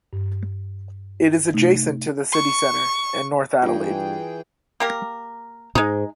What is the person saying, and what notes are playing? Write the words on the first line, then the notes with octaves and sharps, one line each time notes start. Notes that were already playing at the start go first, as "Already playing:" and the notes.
It is adjacent to the City centre and North Adelaide.
G2
C3 A3 D#4
C#6
G2 E3 F4 G#4 F#5 G5
A#3 G4 A#4
G#2 G#3 D#4